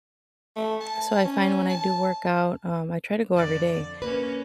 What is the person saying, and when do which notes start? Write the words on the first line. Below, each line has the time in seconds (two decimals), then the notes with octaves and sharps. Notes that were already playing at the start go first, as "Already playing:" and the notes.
so, I find when I do work out, um I try to go every day.
0.57 A3
0.81 A5
1.25 C#4
1.70 A5
3.33 F2 D3 D5
4.02 A#3 C#4 B4